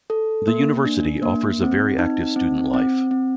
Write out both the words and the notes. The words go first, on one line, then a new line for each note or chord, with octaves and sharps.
The university offers a very active student life.
A4
A#3
D4
A#3
C4
D#4
C4
C4
C4